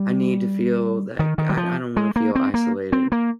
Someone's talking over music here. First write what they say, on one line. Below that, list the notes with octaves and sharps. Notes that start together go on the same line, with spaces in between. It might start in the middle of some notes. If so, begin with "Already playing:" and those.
I need to feel like I I don't wanna feel isolated.
Already playing: G3
D#3
D#3
G3
F3
G#3
A#3
C4
A#3
C4
A#3